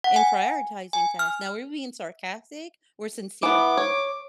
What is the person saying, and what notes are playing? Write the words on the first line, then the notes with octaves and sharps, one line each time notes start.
in prioritizing tasks? Now, we're being sarcastic or sincere?
F#5
G#5
G#5
F6
E3 B3 D6
C#5